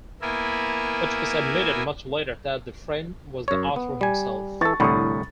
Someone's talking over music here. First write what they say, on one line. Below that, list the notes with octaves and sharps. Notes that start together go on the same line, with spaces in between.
It was admitted much later that the "friend" was the author himself.
A#3 B3 E4 A#4 E5 G#5
F#2 C#5
B3
G3 G#5
E3 A4 C#6 A6
C2 A2 D3 B5 C#6 D#6